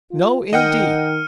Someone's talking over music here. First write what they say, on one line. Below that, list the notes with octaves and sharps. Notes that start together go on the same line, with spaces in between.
"No, indeed."
F4
D#3 D#5 F#5 G5 F6 C#7 D#7